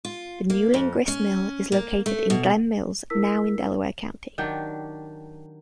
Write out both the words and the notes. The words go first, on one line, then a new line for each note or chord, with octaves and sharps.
The Newlin Grist Mill is located in Glen Mills, now in Delaware County.
F4
A#3
F2
C#4
A#3
A3
B2
E4 A#4 E6 B6
D#3 F#3 D4 G4